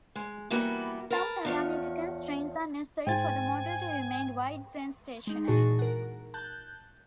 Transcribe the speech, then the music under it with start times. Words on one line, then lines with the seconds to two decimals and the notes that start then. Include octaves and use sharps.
Some parameter constraints are necessary for the model to remain wide-sense stationary.
0.16 G#3
0.50 E3 G3 A#3 B3 F#4 B4
1.10 A#4 B4 A5
1.45 E2 F3 C#5
3.07 G#2 C5 G5 G#5 A6
5.27 G#3 D#4
5.47 A#2 E3 F#4 G#4 A5 C#6
5.79 A#4 F#5
6.34 A5 F#6 G6